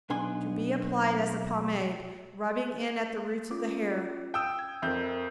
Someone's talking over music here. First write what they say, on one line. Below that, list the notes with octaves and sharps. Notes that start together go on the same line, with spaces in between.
To be applied as a pomade, rubbing in at the roots of the hair.
B1 B3 D4 G#5 C6
C#4 F4 D6
G5 D#6 E6
G#6
F2 A#4 E5 G6